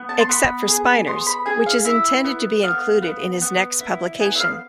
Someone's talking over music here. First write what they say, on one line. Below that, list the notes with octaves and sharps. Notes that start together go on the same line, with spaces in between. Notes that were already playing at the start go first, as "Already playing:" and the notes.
Except for Spinors, which is intended to be included in his next publication.
Already playing: B3
A5
C6
B3 B5
G#4
B3 C6
B5
G#4 G#5
F5
E4 E5
B3
B3 F5
B3
B3
E4
B3 G#5
E5
F5